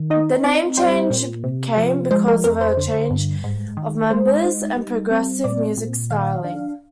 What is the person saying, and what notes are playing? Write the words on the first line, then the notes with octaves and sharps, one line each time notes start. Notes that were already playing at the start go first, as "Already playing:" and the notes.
The name change came because of a change of members and progressive musical styling.
Already playing: D#3
D#4 D#5
C4 D5
G3 C5
A#2
C3
F3
G#3 C5
A#4
F2 A#4
C5
D3
G2
G#2
D#3
G#3 C5
D#4
G3
C4
A#2 D5
A#2
D#3 F5
D4